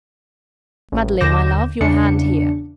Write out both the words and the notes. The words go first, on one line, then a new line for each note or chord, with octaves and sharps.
Madeline, my love, your hand here.'
A1
D#2 D3 D6 G6 A#6 E7
E2 C#3 D4 C#7